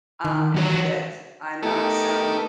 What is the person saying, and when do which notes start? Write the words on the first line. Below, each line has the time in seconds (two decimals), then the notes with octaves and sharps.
um, that I'm not some
0.25 D#3
0.54 E3 F#4 C#5
1.63 A3 B3 D#4 G4 A4 A#4